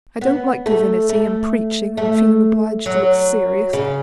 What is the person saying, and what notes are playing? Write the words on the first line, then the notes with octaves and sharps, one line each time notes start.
I don't like divinity, and preaching, and feeling obliged to look serious.
B3
A3
A3
A3
F#3
C#3